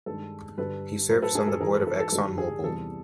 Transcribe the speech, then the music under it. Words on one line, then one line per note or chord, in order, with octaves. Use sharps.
He serves on the board of ExxonMobil.
G2 D#3 G#3 A4
G2 D3 G3 A4 B4
A2 F#3 A#4 C5
A4 B4
G#4 A#4
A4
G#2 E3 G#3 G#4 A#4
A4 B4
A4
A4
G2 D#3 G3 A4
G#4
E2 C3 E3 G3 A4